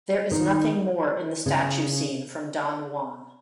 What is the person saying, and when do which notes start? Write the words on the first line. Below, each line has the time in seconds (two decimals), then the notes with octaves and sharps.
There is nothing more in the statue scene from Don Juan.
0.31 D#3
1.46 C#3